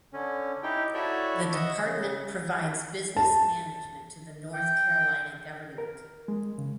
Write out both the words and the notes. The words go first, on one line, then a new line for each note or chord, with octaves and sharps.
The department provides business management to the North Carolina government.
D3 C#4
D#4 E4 G4 G5
E4 F#4 A4 C#5 D5 E5
D#5 E5 F#5
C#3
A5
G5
A#4
G#3
C#3